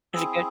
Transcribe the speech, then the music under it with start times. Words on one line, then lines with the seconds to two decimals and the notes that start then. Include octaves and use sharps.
Is it good?
0.14 C4 E4 G#4 E6